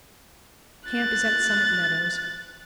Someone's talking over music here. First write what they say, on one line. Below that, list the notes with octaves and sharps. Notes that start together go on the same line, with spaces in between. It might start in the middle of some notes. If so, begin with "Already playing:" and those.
Camp is at Summit Meadows.
F#6 A6